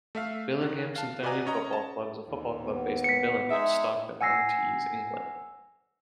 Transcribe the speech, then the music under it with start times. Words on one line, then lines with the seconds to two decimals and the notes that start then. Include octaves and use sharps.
Billingham Synthonia Football Club is a football club based in Billingham, Stockton-on-Tees, England.
0.15 A3 E5 F5
0.61 D#3 F#6
0.96 F5 A5
1.23 F#4 B4 D5 D#5 G#5 A#5
1.46 C#4 C#5 D#5 A#5
1.73 A5
2.25 D#2
2.64 B3
3.04 B6 C#7
3.51 G#3 D#4 G#4 E5
4.21 F#5 G#5 E6 A#6 C7